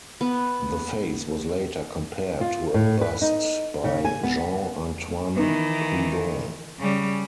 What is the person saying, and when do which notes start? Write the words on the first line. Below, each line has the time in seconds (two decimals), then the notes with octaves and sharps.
The face was later compared to a bust by Jean-Antoine Houdon.
0.21 B3
2.41 F4
2.74 A2
3.01 B4
3.22 D#4
3.84 C#3
4.05 G#5
4.23 B3
5.37 D#3 E3 B3 D#4
6.79 C#3 G3